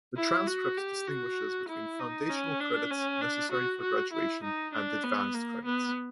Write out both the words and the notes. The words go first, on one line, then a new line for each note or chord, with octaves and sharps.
The transcript distinguishes between "foundational credits" necessary for graduation and "advanced credits".
E4
F#4
G4
F#4
E4
D#4
C#4
D4
C#4
D4
F#4
F#4
E4
D#4
D4
B3
A#3
B3